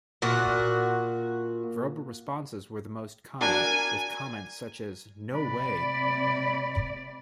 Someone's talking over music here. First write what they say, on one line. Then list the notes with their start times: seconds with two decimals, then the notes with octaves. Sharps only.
Verbal responses were the most common, with comments such as, No way!
0.22 A#2 F#4
3.41 D4 F#4 A#4 G#5
5.35 C3 D5 B5